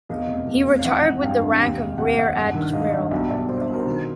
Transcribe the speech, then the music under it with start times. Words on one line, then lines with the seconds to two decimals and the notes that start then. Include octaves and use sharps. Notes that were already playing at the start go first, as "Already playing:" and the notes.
He retired with the rank of Rear Admiral.
0.09 E2 D#5 F5
0.28 F1
0.47 E2
0.66 F1
0.79 F5
0.84 E3 E5 F#5
1.03 G#1
1.22 G2 F5 G5
1.41 G#1
1.60 D#2
1.79 F1
1.98 D#2 F#5
2.09 F5
2.16 D#2 E5 F#5
2.35 G2
2.55 D#3
2.73 G2 D#5 F5
2.92 G2
3.11 B1 D5 E5
3.30 B1 D5 E5
3.49 B1 C5 D5
3.61 D5 E5
3.68 B2
3.74 A#4 C5
3.87 D#3